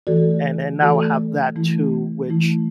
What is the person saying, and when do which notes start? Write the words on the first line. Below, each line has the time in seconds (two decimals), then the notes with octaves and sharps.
and and now I have that too, which
0.07 E3 A3 F#4 A4 D5
0.81 E3 A3 F#4 A4 D5
1.56 E3 A3 E4
2.30 E3 A3 E4